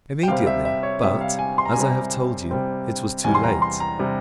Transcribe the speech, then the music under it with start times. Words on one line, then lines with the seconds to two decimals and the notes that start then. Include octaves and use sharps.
"Immediately; but, as I have told you, it was too late."
0.23 G5
0.28 C3 G3 C4 F5
0.47 E5
0.65 E5
0.83 C#5
1.02 C3 G3 C4 E5
1.21 F5
1.39 G#5
1.58 C6
1.65 A#5
1.73 G#5
1.76 C3 G3 C4 A#5
2.51 C3 G3 C4
3.24 E2 C3 G3 G#5
3.35 C6
3.44 A#5
3.62 C6
3.80 A#5
3.99 C3 G3